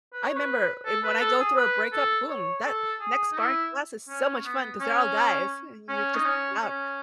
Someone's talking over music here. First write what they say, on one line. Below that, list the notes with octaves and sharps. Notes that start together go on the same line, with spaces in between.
I member and when I go through a breakup, boom. That next sparring class is so much fun 'cause they're all guys, and you just take it out,
B4
C#5
B4
A4
B4
A4
G#4
B4
A4
C#5
A4
G#4
D#4
E4
C#4
B3
C#4
C#4
D#4
C#4
C#4